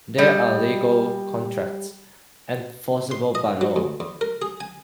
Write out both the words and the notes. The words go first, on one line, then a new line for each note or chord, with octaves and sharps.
There are legal contracts, enforceable by law.
G3 D#5
C6
D#5
F#3
D2
E2
A#4
G#4
G#5